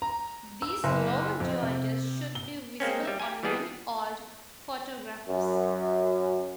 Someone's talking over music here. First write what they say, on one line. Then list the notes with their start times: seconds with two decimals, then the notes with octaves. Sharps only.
These lower dividers should be visible on many old photographs.
0.02 A#5
0.62 E6
0.84 F#1
1.40 F2
1.62 C3
2.35 G7
2.80 G#3 A#3 C4 C#4
3.05 G3 E5
3.20 G4 G#5
3.43 E3 G3 G#3 B3 G#4 A4
5.27 F#2